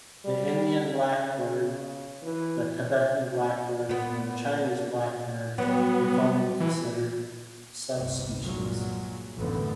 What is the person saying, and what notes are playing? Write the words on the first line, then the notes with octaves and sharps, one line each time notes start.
The Indian blackbird, the Tibetan blackbird, and the Chinese blackbird were formerly considered subspecies.
G3
C#3
E3
A#2 B3
F#3 G3 B3
E3
G1 C2 C3
G2 A#2 F#3 G#3
A1 F#2 D3 B3